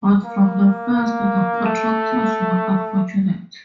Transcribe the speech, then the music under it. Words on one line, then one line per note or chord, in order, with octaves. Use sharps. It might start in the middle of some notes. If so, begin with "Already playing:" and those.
But from the first the contractors were unfortunate.
A#3
A#3
A3